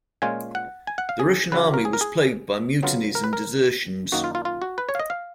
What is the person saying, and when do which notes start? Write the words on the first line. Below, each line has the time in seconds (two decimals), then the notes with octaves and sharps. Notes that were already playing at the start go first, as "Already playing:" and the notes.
The Russian Army was plagued by mutinies and desertions.
0.22 A#2 G#3 C#4 F4 G#5
0.55 F#5
0.87 G#5
0.98 F#5
1.09 F5
1.20 G#4
1.52 C#3 F#3 C#4 F4 B4
1.74 A#4
1.85 G#4
1.93 A#4
2.01 G#4
2.83 C#3 F#3 B3 F4
3.15 A#4
3.24 B4
3.33 A#4
4.12 F#2 D#3 A#3 D#4 F#4
4.24 F4
4.35 F4
4.45 F4
4.62 F#4
4.78 B4
4.89 C#5
4.95 F5
4.99 D#5
5.10 F5